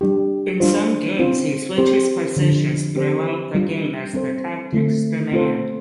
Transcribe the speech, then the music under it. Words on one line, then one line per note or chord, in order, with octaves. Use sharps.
In some games he switches positions throughout the game as the tactics demand.
G3 D4 G4
G3 D4 F4 C5
C4 F4 C5
C4 G4 C5
D3 F3 D4
C4 G4 C5
G3 D4 F4
G3 C4 A4 C5
D3 A3 C4
A3 C4 F4 A4 C5